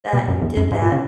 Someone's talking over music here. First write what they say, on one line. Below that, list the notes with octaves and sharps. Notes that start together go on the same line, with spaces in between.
that you did that,
B2
F#2
E2
F#2
G#2
A#2
C#3